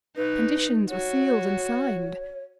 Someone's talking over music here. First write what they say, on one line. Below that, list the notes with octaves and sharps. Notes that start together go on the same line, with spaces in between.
Conditions were sealed and signed.
D#4 B4
F#4 C#5